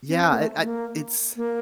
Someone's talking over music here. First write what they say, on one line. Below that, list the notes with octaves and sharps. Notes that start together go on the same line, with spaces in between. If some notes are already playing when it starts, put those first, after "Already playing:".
Yeah, it I it's
C#4
C4
A#3
A3
A#3
A#3